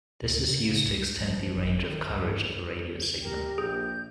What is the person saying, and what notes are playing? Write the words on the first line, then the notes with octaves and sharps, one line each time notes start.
This is used to extend the range of coverage of a radio signal.
D2
C#3
C#2
F3
G#1
D#3
C#2
G2
G4 A#4
A#1 G#4 G6